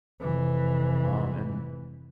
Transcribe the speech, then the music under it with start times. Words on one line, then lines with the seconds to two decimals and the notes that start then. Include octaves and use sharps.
um, and
0.21 F1 E3